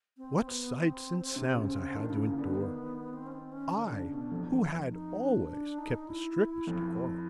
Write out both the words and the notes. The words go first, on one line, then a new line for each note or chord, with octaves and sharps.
What sights and sounds I had to endure--I who had always kept the strictest decorum!
C4
B3
C4
C3
C#3
C#3
D#3 D4
C#3 E4
C#3 A#3
D3 B3
D#3
C4
C#4
C4
C#4
D3 D4
C#3
B2
F2
E2
F2
D#4
D4
D4
D#4
E4
F2